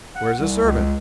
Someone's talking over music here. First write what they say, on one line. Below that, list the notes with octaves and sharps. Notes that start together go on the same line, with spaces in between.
Where's the servant?
F#5
C2
C#2